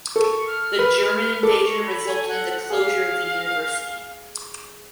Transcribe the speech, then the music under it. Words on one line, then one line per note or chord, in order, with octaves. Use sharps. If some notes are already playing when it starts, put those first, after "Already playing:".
The German invasion resulted in the closure of the university.
A4 C#6
F6
B4
A4 D6
C#6
B5
G#5
F#5
F#5
G#4 F5